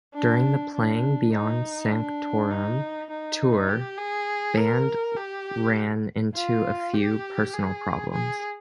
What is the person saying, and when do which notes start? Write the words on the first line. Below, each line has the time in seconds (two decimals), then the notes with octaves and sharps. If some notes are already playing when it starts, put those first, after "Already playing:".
During the playing "Beyond Sanctorum" tour, band ran into a few personnel problems.
0.14 D4
0.74 D4
1.32 D#4
1.91 D4
2.51 D#4
3.10 D#4
3.69 G4
3.98 G#4
4.57 A#4
5.16 G4
6.35 F4
6.94 G4
7.53 G#4
8.12 G#4